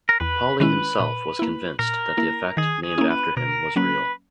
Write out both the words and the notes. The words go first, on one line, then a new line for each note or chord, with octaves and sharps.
Pauli himself was convinced that the effect named after him was real.
A#4
E2 B4
D#3 G#3 C#4 E4 B4
A#2
A#3 E4
A#2 A#4
A#3 E4
D#3 G#4
G#4
A#3 C#4 E4
B4
B2 A#4
F#3 A#3 C#4 B4